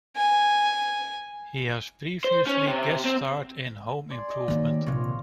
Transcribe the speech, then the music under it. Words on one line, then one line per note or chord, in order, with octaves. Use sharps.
He has previously guest starred in "Home Improvement".
G#5
C5
C#4
C3
C4
D5 G#5 C6
D5 D#5
D#3 F#3 A#3
G4
A#1 C3 F4 C#5